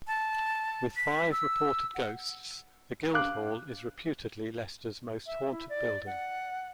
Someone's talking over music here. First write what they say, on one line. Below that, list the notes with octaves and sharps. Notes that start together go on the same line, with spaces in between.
With five reported ghosts, the Guildhall is reputedly Leicester's most haunted building.
A5
B6
E6
F#5
F5 D6 F#6
E5
E4
D5
F#5